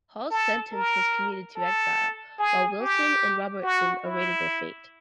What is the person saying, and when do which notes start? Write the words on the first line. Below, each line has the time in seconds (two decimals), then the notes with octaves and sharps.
Hall's sentence was commuted to exile, while Wilson and Robertson awaited their fate.
0.31 A4
0.72 A#4
1.56 A4
2.39 G#4
2.80 G4
3.63 F#4
4.06 E4